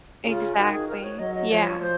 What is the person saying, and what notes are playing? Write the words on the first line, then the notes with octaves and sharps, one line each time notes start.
Exactly. Yeah.
C#3 F4
D#3 F#4
G#4
A#4
C#5
F#3 D#5
D#5
F3 C#5
C5